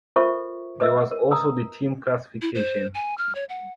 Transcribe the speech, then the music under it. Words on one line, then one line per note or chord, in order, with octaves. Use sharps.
There was also the team classification.
F4 A4 A#4 C5 E5 C#6
A4 B4 D#5 E5 E6
A#4
A#5 D#6 E6
E4
C5
G#5
F6
C#5
F#5